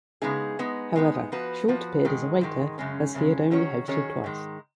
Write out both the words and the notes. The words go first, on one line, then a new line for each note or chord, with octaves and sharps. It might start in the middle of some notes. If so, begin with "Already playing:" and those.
However, Short appeared as a waiter, as he had only hosted twice.
C#3 G#3 B3 D#4 G#4
G#3 B3 D#4
G#3 B3 D#4
F3 B3 F#4 B4
F3 B3 F#4 B4
G#2 D#3 G#3
G#2 D#3 G#3
F#2 C#3 G#3 C#4
F#2 C#3 G#3 C#4
D#3 F#3 C#4 G#4 C#5
D#3 F#3 C#4 G#4 C#5
G#2 D#3 G#3